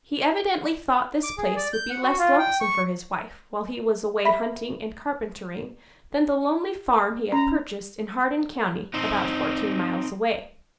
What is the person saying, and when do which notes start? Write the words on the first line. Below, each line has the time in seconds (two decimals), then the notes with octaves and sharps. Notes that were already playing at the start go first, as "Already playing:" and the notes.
He evidently thought this place would be less lonesome for his wife, while he was away hunting and carpentering, than the lonely farm he had purchased in Hardin County, about fourteen miles away.
1.23 D6
1.38 G#4
1.57 D5
1.73 G6
1.90 F#5
2.03 F#4
2.19 F4
2.39 G5
2.61 C#6
4.25 E5 B5 B6
7.32 C#4 A#5
8.94 C4 D#4